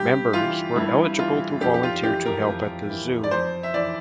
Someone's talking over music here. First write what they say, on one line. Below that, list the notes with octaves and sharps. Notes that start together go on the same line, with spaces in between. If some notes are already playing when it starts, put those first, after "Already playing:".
Members were eligible to volunteer to help at the Zoo.
Already playing: G2 G4
E3 F4
G2 E4
E3 F4
F2 G4
G4
F4
E3 G4
A#4
F2
E3
D5
F2 C5
E5
E3 D5